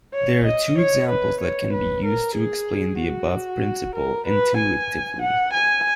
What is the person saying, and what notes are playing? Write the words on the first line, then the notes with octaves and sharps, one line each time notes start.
There are two examples that can be used to explain the above principle intuitively.
C#5
D#5
C#5
B4
C#5
B4
A#4
G#4
F#4
A#4
B4
G#5
F#5
G#5